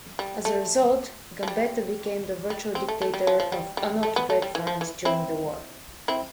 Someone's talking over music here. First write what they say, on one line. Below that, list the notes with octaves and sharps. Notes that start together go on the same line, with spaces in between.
As a result, Gambetta became the virtual dictator of unoccupied France during the war.
G3
A3
F3
G3
G3
C4
A3
A3
G3
F3
F3
G3
G3
A3
B3
A3
G3
E3
F3
E3
C4 E4
C4 E4